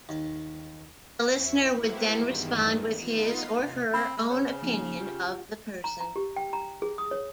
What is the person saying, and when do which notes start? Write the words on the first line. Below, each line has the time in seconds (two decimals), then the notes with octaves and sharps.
The listener would then respond with his or her own opinion of the person.
0.09 D#2
1.25 E2 E4 C#6
1.77 A#3 B3 E4 F#4 G4 C5
2.11 E2 G2 D#3
2.94 B3 D#4 F4 C7
3.53 C3
3.94 C4 B5
4.17 G#3
4.30 C#3 C5 C#5
4.62 F3 A#3 D#4
5.01 F4 G4
5.84 A#5
6.01 A#5
6.16 G4
6.36 G5
6.53 A#5
6.82 G#4
6.98 D#6
7.11 C#5